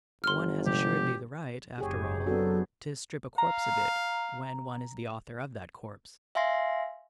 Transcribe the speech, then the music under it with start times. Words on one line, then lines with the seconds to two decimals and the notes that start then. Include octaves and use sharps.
One has assuredly the right, after all, to strip a corpse a bit when one is the author of that corpse.
0.24 G1 C6 F6
0.66 C3 F3 G#3 G4
1.78 F#1 G4 G#4 C#5
2.26 F#3 B3 C4 D4 A4
3.38 F5 A#5
6.35 E5 F5 G#5 C6 A#6 C7